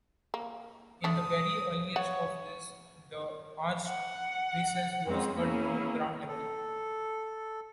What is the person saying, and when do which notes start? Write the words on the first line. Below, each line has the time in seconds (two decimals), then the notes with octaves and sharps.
In the very earliest of these, the arched recess was cut to ground level.
0.34 A#3
1.04 D3 A3 D4 D#6
1.96 C#5 F#5
3.85 F#5
5.06 F2 G#3 C4 C#4
5.37 A#3 B3 C#4 E4 G#4
6.28 A4